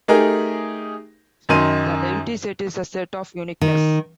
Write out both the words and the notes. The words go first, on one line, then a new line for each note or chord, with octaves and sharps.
The empty set is a set of uniqueness.
A3 D#4 G4 G#4 A#4
F#2 D#3 D#4 C6 D#7
D#3